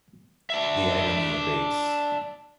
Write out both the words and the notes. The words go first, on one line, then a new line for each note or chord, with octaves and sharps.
The agony abates.
D4 E5